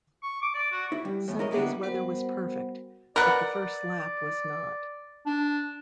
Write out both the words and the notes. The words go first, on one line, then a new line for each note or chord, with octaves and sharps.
Sunday's weather was perfect, but the first lap was not.
C#6
D6
D5
F#4
E4
G3
E2 A2
E4 A#4 C#5 D#5
D3 G3 A#3 B3 E4
G3 B3 F#4 A#4 C5 F#5
A#4 B4 D5 F#5
D4